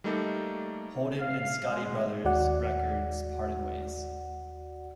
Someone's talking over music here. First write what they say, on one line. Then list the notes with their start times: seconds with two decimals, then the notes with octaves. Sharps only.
Holden and Scotti Brothers Records parted ways.
0.04 G3 A3 A#3 D#4 A4
1.20 F5
1.69 G#3
2.25 D#2 F#4 D5 F#5